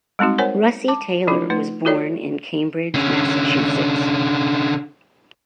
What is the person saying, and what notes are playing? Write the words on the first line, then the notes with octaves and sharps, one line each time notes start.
Russi Taylor was born in Cambridge, Massachusetts.
G3 G#3 C4 D#4 F#4
A#4 C5 C#5 F#5 G#5
A5 D6
F3 D4 E4 F4
A3 D#4 B4
F4 F#4 A4 C#5 D5
D3 C#4